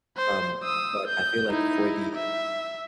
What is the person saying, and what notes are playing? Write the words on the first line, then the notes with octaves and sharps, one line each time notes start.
Um, but I feel, like, for the
C5
D#6 E6
G6
D#4 E4
E5